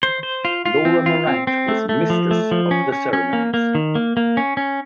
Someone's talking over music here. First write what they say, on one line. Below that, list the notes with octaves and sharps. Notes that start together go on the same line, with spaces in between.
Laura Morante was mistress of the ceremonies.
C5
C5
F4
F4
C4
F4
C4
C4
A3
A3
F3
A3
F3
C#4
C#4
C#4
A#3
A#3
D#3
A#3
A#3
C#4
C#4